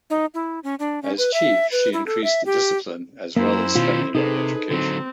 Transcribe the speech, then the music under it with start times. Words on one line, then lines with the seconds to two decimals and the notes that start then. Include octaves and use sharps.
As chief she increased discipline as well as spending on education.
0.10 D#4
0.34 E4
0.64 C#4
0.79 D4
1.03 C#4
1.18 B4
1.34 E5
1.72 B4
1.93 E4
2.07 A4
2.24 E5
2.46 G4
3.36 F#2 A#3 E4 C5
3.75 B2 D#3 C#4 F4
4.15 C3 D#4 G#4 A4 B4 C5
4.70 D3 F#3 C4